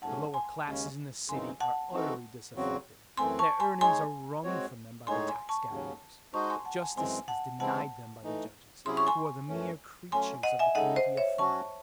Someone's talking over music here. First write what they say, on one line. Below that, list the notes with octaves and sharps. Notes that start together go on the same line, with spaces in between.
The lower classes in the city are utterly disaffected; their earnings are wrung from them by the tax gatherers. Justice is denied them by the judges, who are the mere creatures of the committee of five.
G#2 F#3 A3 C#4 F#5 A5
G#5 C6
D#2 C#3 G#3 C#4
F#2 C#3 E3 C4 D#4 G#5 C6
F#5 A5
E3 C4 D#4 F#4 A4
E2 C#3 F#3 C4 F#4
F#2 E3 A3 C4 G#5 C6
A5 C#6
G#5 C6
G#3 D#4 G#4 C#5 G#5 C6
G#3 C4 F#4 C#5
A2 G#3 D#4 G#4 C#5 G#5 C6
G#5 C6
A5 C#6
D#2 C#3 F#3 C#4
G#3 D#4 F#4 C5 D#5 A5 C#6
G#5 C6
F#5 A5
G#5 C6
F#2 E3 G#3 C4 G#5 C6
F#5 A5
C3 E3 G#3 C4 E4 F#5 A5
E3 A3 D#4
C3 F#3 C#4 E4 G#4 C6
C#6
G#5 C6
F#2 E3 A3 C#4
F#3 A3 C#4 G#5 C6
D#5 F#5
E5 G#5
C#3 G#3 D#4 A4 D#5 F#5
C5 D#5
C#5 E5
F#3 C#4 F#4 A5 C#6